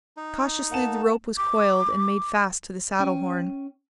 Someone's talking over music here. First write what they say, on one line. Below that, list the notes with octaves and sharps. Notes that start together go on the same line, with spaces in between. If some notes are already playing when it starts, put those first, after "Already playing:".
Cautiously the rope was coiled and made fast to the saddle horn.
D#4
A#3 F#5 A5 E7
D6
C#4 G5